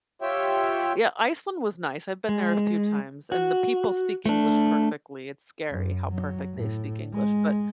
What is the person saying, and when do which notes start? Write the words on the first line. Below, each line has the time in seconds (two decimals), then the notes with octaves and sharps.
Yeah, Iceland was nice, I've been there a few times, and the people speak English perfectly. It's scary how perfect they speak English, but
0.22 F4 G4 C#5 E5 G5
2.29 G#3
3.32 F#4
4.26 A3 D4
5.70 F#2
6.09 F#3
6.54 A2
7.13 G#3